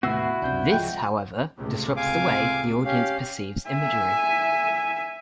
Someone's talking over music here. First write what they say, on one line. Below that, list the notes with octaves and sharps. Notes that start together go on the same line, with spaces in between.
This, however, disrupts the way the audience perceives imagery.
D#2 A2 C3 B3 E4 F#4 E5 C7
C#2 C3 D4 G6
C#2 G#2 F3 G#3 G5
C#2 A2 C3
F5 G#5 D6
C#4 G4 F5
E5 G#5